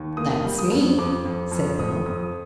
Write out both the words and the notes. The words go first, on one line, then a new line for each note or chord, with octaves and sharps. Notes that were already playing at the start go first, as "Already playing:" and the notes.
"That's me!" said Bill.
Already playing: D#2
A#3 D#6
G3
D#6
F2
F2 D6
F2
F2
F2 D#6
F2 D#6